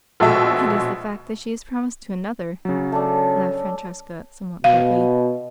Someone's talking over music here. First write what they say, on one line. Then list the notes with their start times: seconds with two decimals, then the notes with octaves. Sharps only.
"It is the fact that she is promised to another," laughed Francesca somewhat pertly.
0.20 A#1 B2 G#3 A4 E5
2.65 C#3 F#3
2.92 A3 C#4 D4
4.64 B2 F5